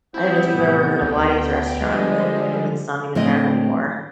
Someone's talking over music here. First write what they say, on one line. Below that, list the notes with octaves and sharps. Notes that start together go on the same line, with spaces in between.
I don't know if you've ever heard of Lyons Restaurant, but it was not even around anymore.
G3 C4 E4 F#5 D#6 G6
A2 C3 B3
D2 G5
D3 F3 G3 G#3 G#4 D#5
A2 C4 D4 D#5